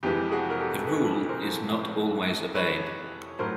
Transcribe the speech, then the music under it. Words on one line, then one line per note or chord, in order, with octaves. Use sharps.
The rule is not always obeyed.
F2 C3 E3 G#3 G4
F#4 G#4
A#4
G4 A4
A4 B4
A#4 C5
B4 C#5
A2 F#3 A#4 C5